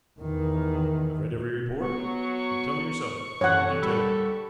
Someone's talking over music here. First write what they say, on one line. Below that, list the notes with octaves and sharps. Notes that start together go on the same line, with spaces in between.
"I've read every report, but tell me yourself--every detail."
E2 D#3
F#3 B3 C#6
F#2 D3 E3 G4 A4 C#5 F#5
G3 B5 E6